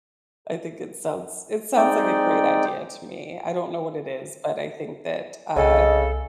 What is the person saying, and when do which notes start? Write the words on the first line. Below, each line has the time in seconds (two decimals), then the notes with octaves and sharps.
I think it sounds it sounds like a great idea to me, I don't know what it is, but I think that, uh,
1.76 G#3 C4 D#4 D5 G5
5.56 C2 C#3 A4 D#5